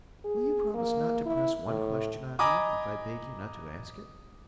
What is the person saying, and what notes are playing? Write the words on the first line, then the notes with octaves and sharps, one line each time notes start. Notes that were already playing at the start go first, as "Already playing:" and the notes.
"Will you promise not to press one question on me, if I beg you not to ask it?"
G#4
A#3
E4
A2
D#5 G#5 A#5 B5 D6 D#6